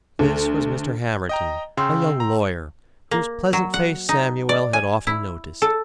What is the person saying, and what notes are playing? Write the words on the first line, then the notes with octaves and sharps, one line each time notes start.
This was Mr. Hamerton, a young lawyer, whose pleasant face Samuel had often noticed.
D2
D#5 G5 A#5
C#3 G5 C6 E6
A#5
A#3
F#3
F#5
D#4
D5
G#5
E4
A4